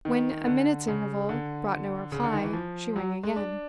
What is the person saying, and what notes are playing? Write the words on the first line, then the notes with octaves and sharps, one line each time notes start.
When a minute's interval brought no reply, she rang again.
D#3
D3
C#3
D3
C#3
D3
D#3
E3
F3
F#3
G#3
D4